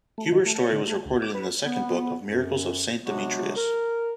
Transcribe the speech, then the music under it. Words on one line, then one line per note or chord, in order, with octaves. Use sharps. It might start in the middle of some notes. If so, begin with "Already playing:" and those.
Kuber's story was recorded in the second book of the "Miracles of Saint Demetrius".
A3
D#3
A3
C#5
D3
A3
D2
D6
B4
B3
F#2
C3 F#3 G#3 B3 D4 F#4
A#4